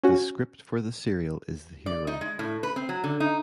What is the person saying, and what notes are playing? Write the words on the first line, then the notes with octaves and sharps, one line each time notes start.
The script for the serial is the hero.
C#4 F#4
D5
D#4
G#3
A2
B4
C4
F#3
D3
D#4